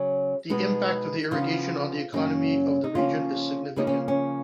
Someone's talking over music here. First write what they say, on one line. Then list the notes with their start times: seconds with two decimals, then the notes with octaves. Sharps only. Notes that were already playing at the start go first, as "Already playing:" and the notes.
The impact of the irrigation on the economy of the region is significant.
Already playing: C#3 F#3 C#4
0.50 B2 G#3 B3 D#4
1.31 C#3 F3 B3 F4
2.13 F#2 C#3 F#3 A#3 C#4 D#4
2.84 D#4
2.95 C#3 F3 A#3 C#4 F4
3.76 C#3 F3 A#3 C#4 D#4
3.87 C#4
4.08 C#4